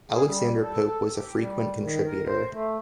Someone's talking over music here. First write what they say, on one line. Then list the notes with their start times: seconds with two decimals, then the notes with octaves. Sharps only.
Alexander Pope was a frequent contributor.
0.09 G#4
0.23 G3
0.62 A4
1.13 G4
1.37 G3
1.79 D#3
2.06 A#4
2.27 C5
2.52 A3